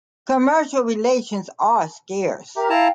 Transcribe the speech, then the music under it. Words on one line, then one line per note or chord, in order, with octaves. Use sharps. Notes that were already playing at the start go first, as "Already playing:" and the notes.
Commercial relations are scarce.
G4 A#4 E5 A#5
E4 F5 G5 A5 A#5